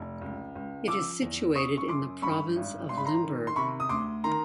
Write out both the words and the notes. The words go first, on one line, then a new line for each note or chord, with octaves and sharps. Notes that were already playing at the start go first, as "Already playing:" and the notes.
It is situated in the province of Limburg.
Already playing: F1
C#2
C#2
F3 D6 E6
E2
C#3 C#6 D#6
C#6
F#2 C6 D6
G2 B5 C#6
G#1
G#1 C6
B5
A#5 C6
D#3
C6
C3 B5 C#6
D#6
D2 C6 D6
D#3 A#5 C6